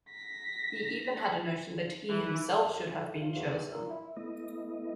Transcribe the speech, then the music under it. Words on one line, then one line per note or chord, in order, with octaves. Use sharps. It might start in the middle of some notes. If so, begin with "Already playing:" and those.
He even had a notion that he himself should have been chosen.
A#6 B6
E3
F#2
A2
F4
E2
A#2
E4
A3 B3 E4 D#5